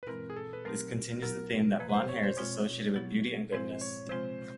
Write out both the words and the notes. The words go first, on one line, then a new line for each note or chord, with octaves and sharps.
This continues the theme that blond hair is associated with beauty and goodness.
B4
G2 E3 G#3 C4 E4 A#4
G#4
A4
B4
F#3 A3 C4 D#4 G4 A#4
F#3 B3 E4 A#4
F2 C3 F3 A#3 B4
B4
C5
C#5
C5
B2 G#3 C4 F4 C#5
F#3 B3 E4 G4
G#2 F3 G#3 C4 E4 C5
C#5
C3 F3 G#3 C4 F4 C5